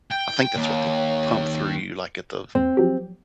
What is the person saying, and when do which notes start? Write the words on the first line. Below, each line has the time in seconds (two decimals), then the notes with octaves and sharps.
I think that's what they pump through you, like, at the f
0.11 G5
0.56 D#2 C#5
2.55 E2 C4 C5
2.77 F3 F#3 G4